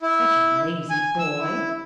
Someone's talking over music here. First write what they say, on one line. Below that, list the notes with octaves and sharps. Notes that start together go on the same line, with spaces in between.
Such a lazy boy!
E4
G#5
E6
E4